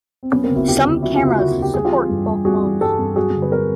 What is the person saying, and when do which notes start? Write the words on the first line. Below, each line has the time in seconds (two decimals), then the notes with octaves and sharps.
Some cameras support both modes.
0.23 C4
0.32 F#3 B3 C#4
0.44 A#3 C4
0.49 C#3
0.56 E4 F#4
0.67 D2 F4 G4
0.85 D2
1.02 F#3 E4 F#4
1.15 F4 G4
1.21 C#3
1.27 E4 F#4
1.39 D2 E4 F#4
1.57 D2
1.62 G4
1.74 G3 G#4
1.84 F4 G4
1.92 E3
2.09 G2
2.27 G2
2.45 G3 F#4 G#4
2.63 E3
2.81 G2 G4 A4
2.98 G2
3.16 F#3 F#4 G#4
3.34 D3
3.42 B4
3.52 G#4 A#4